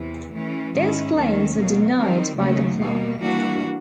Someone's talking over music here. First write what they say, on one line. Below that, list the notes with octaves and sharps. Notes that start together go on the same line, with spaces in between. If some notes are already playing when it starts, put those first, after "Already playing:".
Those claims were denied by the club.
Already playing: E2 C3 E3
E3 A3 C#4
G#2 D#3 G#3 C#4 E4
D#2 D#3 F#3 A3 C#4
B2 F#3 A#3
D#3 G3 C4
D#2 C#3 F#3 A3
B2 G3 A#3
E3 G3 A#3 D4 F#4